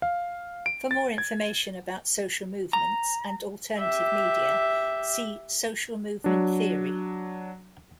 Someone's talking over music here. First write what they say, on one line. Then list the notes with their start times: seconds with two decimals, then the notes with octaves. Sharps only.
For more information about social movements, and alternative media, see Social movement theory.
0.02 F5
0.66 D7
0.91 A6
1.18 G#6
2.73 A#5
3.78 G4 E5
6.24 F#3 D4